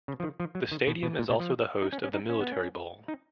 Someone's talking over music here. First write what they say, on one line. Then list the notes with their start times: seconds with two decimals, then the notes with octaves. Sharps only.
The stadium is also the host of the Military Bowl.
0.08 C#3
0.20 F3
0.23 D#3
0.40 F3
0.55 F#3
0.72 D#3
0.87 B2
1.03 B2
1.19 A#2
1.30 B2
1.40 F3
1.82 D#4
1.93 C#4
2.03 C#4
2.14 D#4
2.29 C#4
2.40 B3
2.52 C#4
3.08 D#4